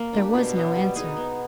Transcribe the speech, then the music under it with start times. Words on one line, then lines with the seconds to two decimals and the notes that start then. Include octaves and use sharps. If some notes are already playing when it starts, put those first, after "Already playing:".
There was no answer.
Already playing: A#3
0.13 D4 G4
0.35 B2
0.55 F#3 B3
0.76 G3
0.95 B3 D#4 G#4
1.17 B3